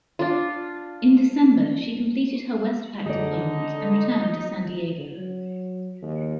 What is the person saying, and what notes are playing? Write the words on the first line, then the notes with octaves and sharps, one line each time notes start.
In December, she completed her WestPac deployment and returned to San Diego.
D4 F4
D3 D#4 G#4 D5
F#3
D#2